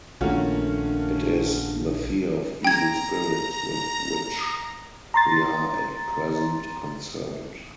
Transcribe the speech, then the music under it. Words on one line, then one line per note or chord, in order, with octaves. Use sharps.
It is the fear of evil spirits with which we are at present concerned.
A#1 D#3 A3 A#3 C#4 D4 F4 F#4
G5 A#5 G#6
A#5 C6 A6